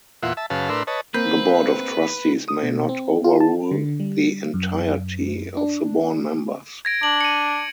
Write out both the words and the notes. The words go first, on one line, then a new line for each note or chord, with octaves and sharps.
The Board of Trustees may not overrule the entirety of the born members.
E2 A#2 F4 E5 F#5
E5 A5
F#2 C#3 B4 F5 A5
A2 D4 A#4 B4 C6 E6
B4 C#5 D#5 A5
A#3 C4 B4 G6
D#6
B2
C4
F4
A5
D3
G3
F#2
D4
G#6 A#6 D7
D4 F#7
C#7 D#7